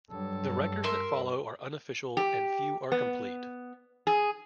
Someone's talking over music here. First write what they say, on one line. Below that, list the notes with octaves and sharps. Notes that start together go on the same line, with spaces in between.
The records that follow are unofficial and few are complete.
G2 F#3 A4
A#4 E5 C6
G4
B3
G#4